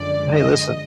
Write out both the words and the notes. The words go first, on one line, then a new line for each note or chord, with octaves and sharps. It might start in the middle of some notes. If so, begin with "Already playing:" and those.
Hey listen
Already playing: F#2 D3 F3 G#3 D5
D#5